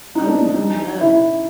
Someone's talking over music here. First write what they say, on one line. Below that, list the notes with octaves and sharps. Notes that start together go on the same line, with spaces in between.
O no, no.
D#4
D4
D#4
E4